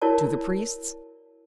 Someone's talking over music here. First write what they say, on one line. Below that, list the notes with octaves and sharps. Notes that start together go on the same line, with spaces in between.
"To the priests?"
E4 F#4 A#4 C#5 D5 A5